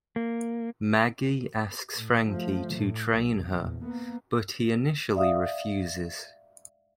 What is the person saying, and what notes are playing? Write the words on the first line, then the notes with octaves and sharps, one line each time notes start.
Maggie asks Frankie to train her, but he initially refuses.
A#3
A2
F3 A3
A2
B1
A#1 E2
A#3 B3
D5 E5 F5 D#6